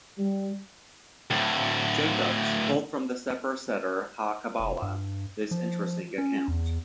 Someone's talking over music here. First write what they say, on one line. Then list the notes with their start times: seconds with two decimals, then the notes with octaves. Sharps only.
Jacobs, pulled from the "Sefer Seder ha-kabbalah" this interesting account.
0.19 G3
1.31 D2 A2
4.60 F1
4.82 G2
5.51 F3
6.18 C#4
6.48 E2